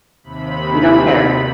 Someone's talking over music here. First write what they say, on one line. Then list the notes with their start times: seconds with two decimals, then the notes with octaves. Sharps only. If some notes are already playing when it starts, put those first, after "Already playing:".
You don't care.
0.24 D#2 C3 B5